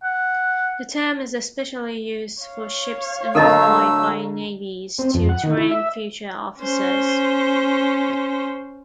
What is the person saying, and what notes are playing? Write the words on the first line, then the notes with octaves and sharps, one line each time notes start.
The term is especially used for ships employed by navies to train future officers.
F#5
C#5 F5
D3 F#3 A3 A4 A#4 D#5 A#5 E6
C4
F2
F#5
D#3
E4
E5
C#4 C5